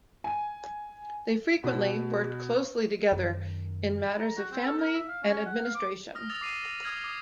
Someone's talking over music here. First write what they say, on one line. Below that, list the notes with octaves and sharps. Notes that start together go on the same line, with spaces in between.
They frequently worked closely together in matters of family and administration.
G#5
B2
F#2 D#3
A#5
F#4
C4
A4
A#4
E5
F5
C#4
F#5
F5
D6
D#6 F6 A#6
D#6 E6 A6 A#6 F7
D6 C7 D#7
A#6 F7
D#6 F6 G#6 A#6 F#7
D6 D#6